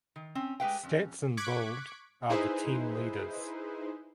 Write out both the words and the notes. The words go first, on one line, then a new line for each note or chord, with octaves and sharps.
Stats in bold are the team leaders.
D#3
C4 C#4
G#3 A3 G4 B4 F5 G5
F2 C#4
C#6 D6 F#6 G#6 B6 D7
D#4 E4 G#4 B4 C5